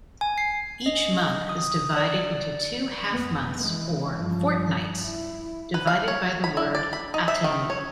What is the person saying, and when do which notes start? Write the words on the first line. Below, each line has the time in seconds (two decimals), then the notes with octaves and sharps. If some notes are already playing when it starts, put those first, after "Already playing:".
Each month is divided into two half-months or "fortnights", divided by the word "atenoux".
0.21 G#5
0.38 C7
0.86 D#5
1.49 D#6
1.96 D5
3.08 F#1 B3
3.62 E3 G#3
4.13 G2 F3
5.03 E4
5.74 B4
5.87 F5
6.08 C#5
6.44 B5
6.57 E4
6.75 D5
6.93 B5
7.14 D#4
7.28 E5
7.44 D#3
7.70 C#5